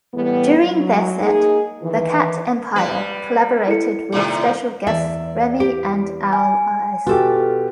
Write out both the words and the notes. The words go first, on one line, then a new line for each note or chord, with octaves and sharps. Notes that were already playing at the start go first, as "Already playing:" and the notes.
During their set, the Cat Empire collaborated with special guests Remi and Owl Eyes.
A2 E3 G3 B3
F#3
A#3 D#4 G#4
D#3 E3
G3 B4
E4 A4 C#7
A2 C3 D#3
E2 D5 E5
G4 D7
G#5
B2 F4 G4 A4